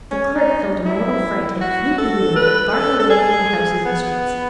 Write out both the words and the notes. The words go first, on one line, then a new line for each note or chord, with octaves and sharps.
The Clerk felt a mortal fright, and flew through the window, far away over the houses and streets.
C#4
D#4
E4
F#4
A4
B4
B4
A4
A4
G#4
B3